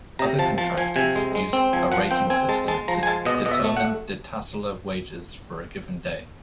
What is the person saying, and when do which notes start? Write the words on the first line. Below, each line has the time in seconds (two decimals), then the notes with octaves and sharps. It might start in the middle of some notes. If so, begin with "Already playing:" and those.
Other contractors use a rating system to determine detasseler wages for a given day.
0.19 C3 A#5
0.39 F3 A5
0.58 F3 A5
0.77 F3 G#5
0.96 C3 G#5
1.16 G#3
1.35 G#3
1.53 C4
1.73 F3 G#5
1.92 F3 F#5
2.11 C4 G5
2.30 C4 G#5
2.49 G#3 A5
2.68 G#3 A5
2.88 F3 A#5
3.03 G#5
3.07 G#3 A5
3.25 B2 D#5
3.45 B2 D#5
3.51 E5
3.64 A3
3.77 F#5